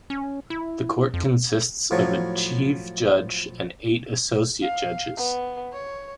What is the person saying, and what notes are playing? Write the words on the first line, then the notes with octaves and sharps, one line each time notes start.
The court consists of a chief judge and eight associate judges.
C#4
E4
F2
A2 F3 F#3
F5
B3
C#5